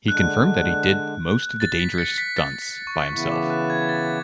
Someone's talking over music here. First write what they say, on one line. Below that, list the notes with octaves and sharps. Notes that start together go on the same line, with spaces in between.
He confirmed that he did most of the dangerous stunts by himself.
D3 G#3 D4 F#6
A6
B6
A6 C#7
B6
A6
B6
C#6
C#3 E3 B3 E4 C#6
D6
F#6
G#6
A6